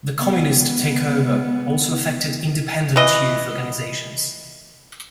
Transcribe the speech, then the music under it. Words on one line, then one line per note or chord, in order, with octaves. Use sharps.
The communist takeover also affected independent youth organisations.
G#3 B3
E3 D#5